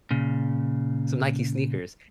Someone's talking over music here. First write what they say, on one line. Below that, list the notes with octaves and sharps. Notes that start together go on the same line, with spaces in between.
Some Nike sneakers.
A#2 C#3